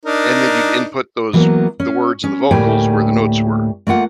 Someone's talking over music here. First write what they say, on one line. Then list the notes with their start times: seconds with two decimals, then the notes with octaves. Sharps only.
and then you'd input those the words and the vocals where the notes were.
0.06 D4 D#4 A#4
1.33 E3 F#3 A#3 B3
1.80 C#4
2.24 C#4
2.51 D2 A2 G3 A#3 G5 G#5
3.87 A3 A#3 F4 F#5